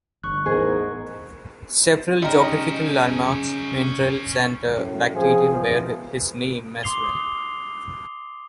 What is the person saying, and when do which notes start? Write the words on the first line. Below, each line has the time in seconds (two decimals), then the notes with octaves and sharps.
Several geographical landmarks, minerals and a bacterium bear his name as well.
0.23 G1 C#6 F#6
0.46 A1 E2 G#2 G#4 A#4
2.22 C#3 G3 C#4 D#4 A#4 C5
4.75 F#2 A2
5.14 C#3 F3 C4 G#4
5.51 C#2 B2 E3 F3 A#3
6.83 C6 D6 D#6 C7 F7 G7